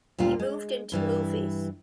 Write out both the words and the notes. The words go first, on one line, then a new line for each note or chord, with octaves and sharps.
He moved into movies.
D2 A#2 G3 F4
G#3
G2 E3 G3